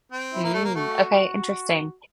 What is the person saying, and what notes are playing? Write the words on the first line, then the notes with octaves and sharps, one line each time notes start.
Mm. Okay, interesting.
C4
E4
A#3
A3
A#3
A3 F#4